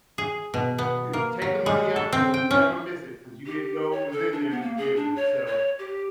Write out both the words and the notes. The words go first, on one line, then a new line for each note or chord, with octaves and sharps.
eh, take the money out, you'll never miss it, 'cause you didn't know it was in there to begin with. So,
G#4
B2
B3
A#3
F#3
G#3
A4
C4
G5
C#4
G4
C#5
A4
D4
B3
A#3
G#4
D4
C#5
C#5
G4